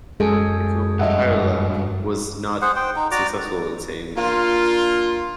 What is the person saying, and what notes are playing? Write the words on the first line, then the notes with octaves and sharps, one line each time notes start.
The Comhairle was not successful in its aims.
F#2 G#3 G#4 A4
G2 F#3 D#5 E5 F#5
G#4 C5 F#5
C5 G5
D#4
F#4 D5 A#5 D6
A#3 D4 F4